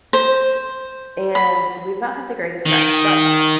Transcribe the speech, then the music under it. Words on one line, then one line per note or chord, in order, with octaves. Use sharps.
and we've not had the greatest time, but
C5
B5
D#3